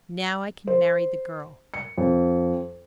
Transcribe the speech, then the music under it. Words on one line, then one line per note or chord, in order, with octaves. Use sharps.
"Now I can marry the girl."
C5
C#7
F2